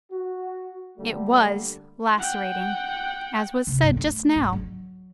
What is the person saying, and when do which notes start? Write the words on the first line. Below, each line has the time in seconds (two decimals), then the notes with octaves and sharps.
"It was lacerating," as was said just now.
0.12 F#4
0.98 D3 G3 A3 A#3
2.18 F#5 G5
3.67 C3
3.83 G2
3.97 A3
4.36 G#2
4.53 F#3